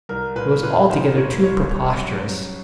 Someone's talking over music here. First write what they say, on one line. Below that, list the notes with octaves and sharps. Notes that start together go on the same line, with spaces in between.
It was altogether too preposterous.
C2 A#4
A#2 B4
A#2 B4
F3 C5
A#2 C#5
C2 C#5
G3
F#2
F#2